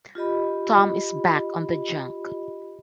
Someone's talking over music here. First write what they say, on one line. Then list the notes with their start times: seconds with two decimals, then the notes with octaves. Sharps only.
Tom is back on the junk.
0.15 F4 G4 D#5 B5